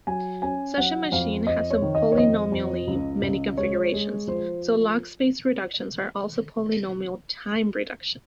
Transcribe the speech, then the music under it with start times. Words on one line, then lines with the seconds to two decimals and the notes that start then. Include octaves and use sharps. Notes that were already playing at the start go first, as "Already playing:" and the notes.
Such a machine has polynomially-many configurations, so log-space reductions are also polynomial-time reductions.
0.07 F#3 G#5
0.42 C#4 G#5
0.77 F#3 F#5
1.12 F2 F5
1.47 F2 D#5
1.71 C#5
1.82 D#3
1.95 D#5
2.12 C#5
2.17 F2 D#5
2.52 F2
2.87 C#2
3.23 C#2
3.58 G#3 C#5
3.93 G#3
4.27 F3 C5